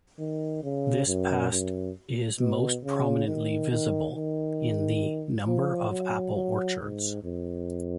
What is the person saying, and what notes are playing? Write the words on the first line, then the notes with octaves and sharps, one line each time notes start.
This past is most prominently visible in the number of apple orchards.
D#3
C#3
F#2
F#2
B2
C#3
D#3
D#3
D#3
F3
F#3
F#3
G#2
F2